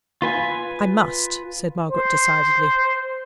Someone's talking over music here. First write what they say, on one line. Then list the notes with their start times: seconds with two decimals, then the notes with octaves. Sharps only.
'I must,' said Margaret, decidedly.
0.22 F4 B4 G#5
1.90 C5